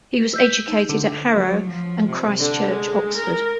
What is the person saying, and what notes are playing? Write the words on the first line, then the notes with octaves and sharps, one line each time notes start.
He was educated at Harrow and Christ Church, Oxford.
E6 G6 B6
D#4
D3
F#3
F3
C3
D3
G#3
A#4